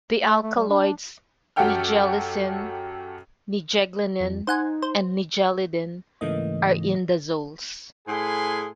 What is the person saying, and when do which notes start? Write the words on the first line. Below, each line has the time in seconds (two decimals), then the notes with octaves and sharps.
The alkaloids nigellicine, nigeglanine, and nigellidine are indazoles.
0.20 A3
0.43 A3
0.55 G3
0.69 D4
1.56 F#2 F#4 G4 A4 G5 F6
4.21 F2
4.47 D#4 C5 F#5 G#5
4.82 C5
6.21 G#2 C#3 E3 A3 A#3 D#5
8.08 A2 G#4 B4 G#5 C6